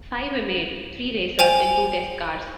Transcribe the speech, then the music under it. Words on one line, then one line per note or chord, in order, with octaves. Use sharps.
Five were made, three racers and two test cars.
C5 G5 G#5 F7